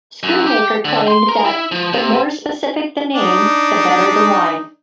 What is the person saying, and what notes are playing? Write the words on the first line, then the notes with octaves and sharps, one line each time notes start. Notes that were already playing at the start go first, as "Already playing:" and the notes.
Schoonmaker claimed that "the more specific the name, the better the wine".
F#2
G4
D3
C6
A#4
E4
F3
C3
D4 D#4